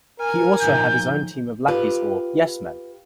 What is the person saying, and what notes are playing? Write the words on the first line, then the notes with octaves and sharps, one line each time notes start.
He also had his own team of lackeys or "yes men".
A#4 G#5 F6
A2 D#3 F3 G6
F4 G4 B4